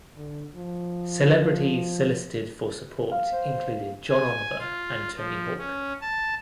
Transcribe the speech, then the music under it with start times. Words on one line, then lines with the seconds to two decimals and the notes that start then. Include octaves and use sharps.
Celebrities solicited for support included John Oliver and Tony Hawk.
0.16 D3
0.56 F3
3.12 F5
3.32 C5
4.09 G#5
4.59 F4
5.16 F3
5.58 C#4
6.01 A5